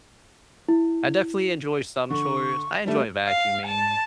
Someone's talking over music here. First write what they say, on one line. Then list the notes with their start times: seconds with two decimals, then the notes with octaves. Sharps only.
I definitely enjoy some chores, I enjoy vacuuming.
0.69 E4
2.10 D3 C#6
2.86 G3 A3 D4
3.27 F5
3.66 A5